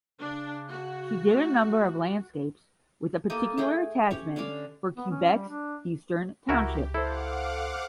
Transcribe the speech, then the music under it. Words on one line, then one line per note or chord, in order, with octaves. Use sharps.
She did a number of landscapes, with a particular attachment for Quebec's Eastern Townships.
C#3 D4
F#4
A3
A#3 G4 A4 D#5
A3 G#4 G5
C#4 G4 C#5
D3 C#4 F5 D6
B3
C#4
G3
D4
C#2 E4 F#4 G4 A#4
E4 A4 C5 F5 F#5 D6